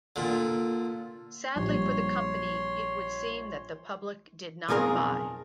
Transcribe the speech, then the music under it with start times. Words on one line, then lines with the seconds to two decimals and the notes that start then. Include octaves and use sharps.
Sadly for the company, it would seem that the public did not buy.
0.16 A#2 D3
1.56 A#1 G3 C#5 C6
4.69 B1 F2 G#4 A#4 F5